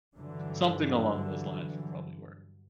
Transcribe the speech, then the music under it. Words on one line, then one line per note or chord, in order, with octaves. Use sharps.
something along those lines will probably work.
G2 D3 E3 F#3